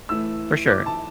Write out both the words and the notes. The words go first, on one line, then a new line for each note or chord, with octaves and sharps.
For sure.
A2 E3 A3 E6
D6
A5